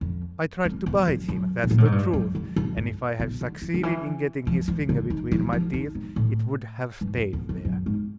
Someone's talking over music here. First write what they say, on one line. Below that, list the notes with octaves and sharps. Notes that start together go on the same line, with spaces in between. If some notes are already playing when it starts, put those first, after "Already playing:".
I tried to bite him: that's the truth, and if I had succeeded in getting his finger between my teeth, it would have stayed there.
F2
F2
E2
F2
F#2
B2
A#2
A2
G#2
G2
F#2
F2
F2
G2
B2
D3
E3
D#3
E3
F3
E3
C#3
D#3
E3
F3
D#3
D#3
A2
G2
F#2
E2
F2
F#2
G#2